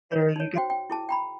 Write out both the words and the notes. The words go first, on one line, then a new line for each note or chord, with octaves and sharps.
There you go
C#5
D#4 C#5
F#4 C5 G5
G5
E4 G#4 A5
G5 A#5 B5